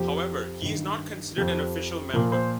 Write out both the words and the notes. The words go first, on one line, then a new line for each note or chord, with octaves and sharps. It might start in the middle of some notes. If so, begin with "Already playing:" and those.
However, he is not considered an official member.
Already playing: F2 F3 G4
G2 D#3
F2 F3 G4
A#2 F3 A#4
C5